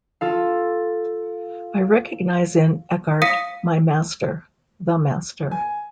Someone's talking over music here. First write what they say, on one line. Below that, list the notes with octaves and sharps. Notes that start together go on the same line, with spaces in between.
I recognize in Eckhart my master, the master.
F4 A4 F5
F5 D#6 A#6 B6 C#7 D#7
G#5